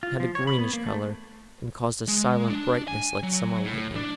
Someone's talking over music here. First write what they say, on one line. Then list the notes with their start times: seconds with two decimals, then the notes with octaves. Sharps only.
It had a greenish colour, and caused a silent brightness like summer lightning.
0.03 F4
0.20 F3
0.35 C#5
0.47 B5
0.59 B3
0.73 A#3
0.87 A3
2.08 G#3
2.50 D4
2.88 G#5
3.23 F#3
3.65 A2
3.96 D4